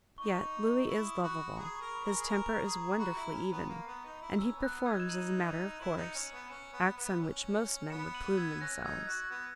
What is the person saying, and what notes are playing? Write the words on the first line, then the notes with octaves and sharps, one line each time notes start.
Yet Louis is lovable; his temper is wonderfully even, and he performs, as a matter of course, acts on which most men would plume themselves.
D#4 C#6
E4 C#6
D#6
F#4 B5
A#5
G#4 B5
C#6
A#4
B5
A#4
G#5
G#4
A#4 A#5
A#5
G#4
A#5
F#4 B5
E4
C#4
B3
A#3
B3
D#4
E4
C#4 E6
B3
F#6
B3
E6 G#6
D#4
E7
D#7 F#7
E4 D#7 F#7
D#4
C#7 E7
C#4
D#7 F#7
B3
C#4 C#7 E7
B3
B3
C#4
B3 C#7 E7
D#7 F#7
E6 G#6
C#4 F#6 A#6
D#4 E6 G#6
F#4 F#6
B3